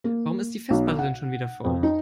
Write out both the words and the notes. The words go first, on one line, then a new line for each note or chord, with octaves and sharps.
Warum ist die Festplatte denn schon wieder voll?
A#3
B1
F#5
F2
D#4